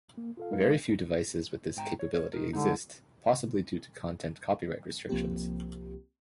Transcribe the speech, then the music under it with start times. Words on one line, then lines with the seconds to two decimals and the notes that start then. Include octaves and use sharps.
Very few devices with this capability exist, possibly due to content copyright restrictions.
0.18 A#3
0.37 F4 A4 F5
0.51 G#3 D#4 A#4 B4 F5
1.77 G#2 G5 A#5
1.99 C#5
2.14 C#5
2.33 D#4 A#4
2.53 D3 G3 G#3 D#4
5.09 C2 F3 A#3 C4 G4